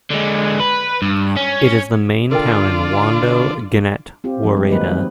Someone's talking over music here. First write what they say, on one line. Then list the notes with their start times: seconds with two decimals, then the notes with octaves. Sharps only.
It is the main town in Wondo Genet woreda.
0.11 D3 G#3
0.60 B4
1.02 G2
1.37 C#4
2.31 D3 D4 F4 A4 A#4 G5
4.24 C4 F4 G4
4.44 F3 G#3
4.57 G3
4.70 D#3 F#3 A#3 D#4 B4
4.89 C4